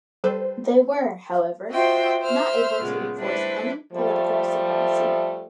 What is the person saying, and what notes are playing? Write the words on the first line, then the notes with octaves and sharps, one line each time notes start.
They were, however, not able to enforce any political supremamcy.
G3 A4 B4 C5
F4 F#4 C5 D#5 E5 G5
C5 E5 F6
A#2 C#3 G#3 B3
G3 A3 D4 E4 B4 C5
F3 G3 A3